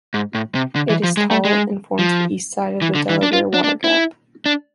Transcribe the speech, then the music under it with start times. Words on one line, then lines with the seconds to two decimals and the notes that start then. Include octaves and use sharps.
It is tall, and forms the east side of the Delaware Water Gap.
0.14 G#2
0.35 A2
0.55 C3
0.76 D3
0.90 E3
1.03 F3
1.17 G#3
1.31 A3
1.45 G#3
1.99 F3
2.82 E3
2.95 D3
3.09 E3
3.23 D4
3.33 F4
3.54 D4
3.64 D4
3.84 E4
4.46 D4